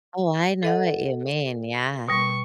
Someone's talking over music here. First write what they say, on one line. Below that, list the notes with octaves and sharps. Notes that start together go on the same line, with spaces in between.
Oh, I know what you mean, yeah.
A4 D#5 F#5
B2 G3 C#6